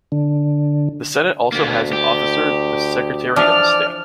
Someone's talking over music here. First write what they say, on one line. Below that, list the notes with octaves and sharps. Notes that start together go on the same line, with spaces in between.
The Senate also has as an officer the Secretary of the Senate.
D3
D2 A#3 B3
G4
E3 F3 D4 D5 F6